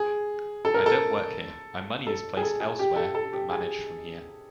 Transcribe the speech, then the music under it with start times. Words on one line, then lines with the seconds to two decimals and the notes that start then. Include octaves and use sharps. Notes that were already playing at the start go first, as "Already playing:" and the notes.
I don't work here, my money is placed elsewhere, but managed from here.
Already playing: G#4
0.65 A4
0.74 A#4
0.86 A4
2.07 A4
2.37 G#4
2.43 A4
2.61 G#4
2.79 G4
2.96 A4
3.15 A4
3.33 G4
3.51 G#4